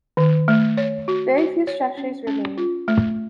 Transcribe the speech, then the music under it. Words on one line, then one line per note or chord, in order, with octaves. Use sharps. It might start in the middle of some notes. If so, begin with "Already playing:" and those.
Very few structures remained.
D#3
A3
C#5
F#4
F#4
C#5
C#4
C#4
F4
A3